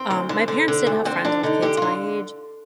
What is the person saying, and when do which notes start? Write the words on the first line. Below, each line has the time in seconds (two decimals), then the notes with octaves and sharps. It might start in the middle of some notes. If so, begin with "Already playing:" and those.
um, my parents did have friends with kids my age,
Already playing: C4
0.10 D2
0.29 D3
0.48 D3
0.68 D3
0.86 D2
1.05 D3 C4
1.25 D3 D4
1.43 D3 D#4
1.62 D3 G4
1.77 D3 F4